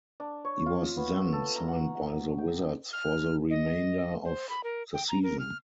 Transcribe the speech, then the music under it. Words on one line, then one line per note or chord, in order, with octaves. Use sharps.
He was then signed by the Wizards for the remainder of the season.
D4
C#5
F4
B3
A4
A#5
F#5
F#5
G5
F6
D#5
C5
B5
A#4
G5
A#5
A#4
F6